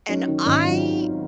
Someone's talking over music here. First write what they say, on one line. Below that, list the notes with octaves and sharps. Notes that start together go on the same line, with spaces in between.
and I,
F#3 C#4 D#4
D#3
G#1 C#4 D#4
F#3 F4